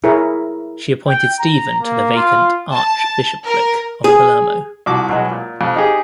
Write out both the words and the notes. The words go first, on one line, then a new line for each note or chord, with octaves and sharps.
She appointed Stephen to the vacant archbishopric of Palermo.
E4 G#4 A#4 C#5
G5
A#5
A#3
F4
A5
A#4
G#4
C2 F3 F#4 D6
B2 F#3 G#3
A#2
F2
D#4 G4 G#4